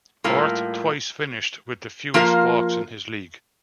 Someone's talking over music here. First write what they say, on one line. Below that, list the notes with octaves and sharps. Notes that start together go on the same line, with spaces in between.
Orth twice finished with the fewest walks in his league.
A2 G3 A#3 F4 A#4
F3 A#3 F4 A#4 F5